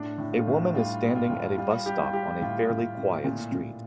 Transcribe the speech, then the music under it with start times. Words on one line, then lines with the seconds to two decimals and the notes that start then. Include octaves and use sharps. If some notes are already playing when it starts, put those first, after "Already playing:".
A woman is standing at a bus stop on a fairly quiet street.
Already playing: A2 D4
0.18 A2
0.33 F4
0.47 A2
0.74 G3 F4
1.02 G3
1.16 F4
1.29 A2
1.58 G3 F4
1.86 G3 G4
2.03 F4
2.13 G3 G4
2.41 A2 F4
2.70 A2
2.98 A2
3.25 A#2
3.52 A#2